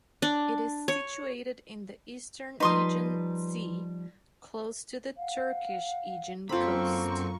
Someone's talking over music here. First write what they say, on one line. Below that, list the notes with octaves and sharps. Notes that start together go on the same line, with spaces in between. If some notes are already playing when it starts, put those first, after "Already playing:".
It is situated in the eastern Aegean Sea, close to the Turkish Aegean Coast.
D4
C#5
F3 G3 D#4 B4 C6 D#6
F5 F#5
F#2 D3 A#3 C4 F4 A#5 B5 C#6